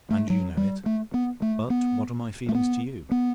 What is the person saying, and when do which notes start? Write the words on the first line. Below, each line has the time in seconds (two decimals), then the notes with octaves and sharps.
And you know it; but what are my feelings to you?
0.11 A3
0.30 F#3
0.57 G3
0.86 A3
1.14 B3
1.42 A3
1.70 B3
2.49 A3
2.55 B3
3.11 B3